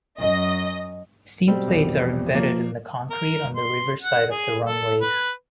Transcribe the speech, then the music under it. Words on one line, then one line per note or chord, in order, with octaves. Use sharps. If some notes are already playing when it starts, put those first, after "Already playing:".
Steel plates are embedded in the concrete on the river side of the runways.
F#2 D#5
B2 G3 C4
A#1 E2
F3 A#3
A#4
C6
F#5
G#4
A4
B4